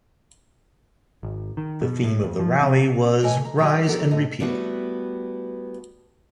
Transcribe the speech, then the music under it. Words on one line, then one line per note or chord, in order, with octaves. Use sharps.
The theme of the rally was 'Rise and Repeal'.
G#1
D#3
B2
A2
F2
F3
C3
D#2 A2 E3 D#5 G#5
A#5
F3 F#3 D4 G4 D#5 G#5
E3 G3
B3 F#4 A4 A#4
D#2 A2 D#5
G3 A3 B3 E4 F#4